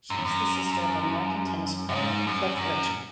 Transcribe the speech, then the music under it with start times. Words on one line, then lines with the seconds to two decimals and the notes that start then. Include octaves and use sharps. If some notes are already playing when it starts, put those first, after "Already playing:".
She is the sister of American tennis player Cliff Richey.
0.10 F#2
0.18 E2
0.25 F#2
1.89 F#2
1.95 G#2
2.27 F#2
2.57 F#2